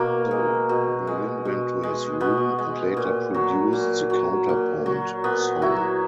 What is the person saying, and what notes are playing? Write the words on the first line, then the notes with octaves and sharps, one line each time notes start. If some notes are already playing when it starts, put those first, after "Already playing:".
So, Berlin went to his room and later produced the counterpoint song.
Already playing: B2 A#3
G#3
B2
G#3
B2
G#3
B2 B3
G#3
A#2
F#3
A#2
F#3
A#2
F#3
A#2 B3
F#3 E4